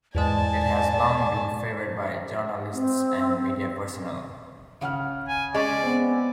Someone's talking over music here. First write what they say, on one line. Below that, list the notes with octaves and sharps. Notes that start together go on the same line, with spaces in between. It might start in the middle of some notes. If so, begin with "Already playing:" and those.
It has long been favoured by journalists and media personnel.
E2 G#2 G#3 D5 G#5 A5
C4
C#3 F#5 F6
G#5
G#3 C#4 D5 D#5 C#6 A6
B3 C4